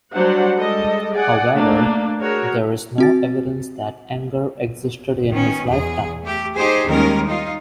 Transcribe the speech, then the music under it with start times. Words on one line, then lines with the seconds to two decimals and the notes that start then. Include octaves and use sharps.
However, there is no evidence that Enger existed in his lifetime.
0.13 F#3 G3 D4 C5 F#5
0.57 G3 G#3 A4 D#5
1.13 G#4 D5 F#5 G#5
1.53 A3 A#3 D4
2.20 F#4 G#4 A#4 C#5
2.98 C4 F#4 A6
5.30 D#3 B3 C#4
5.69 E2 G#4
6.24 A3 G4
6.56 D#4 G4 G#4 C5
6.87 D#2 D#3 G3 G#3 C#4 A#4
7.26 D#4 F4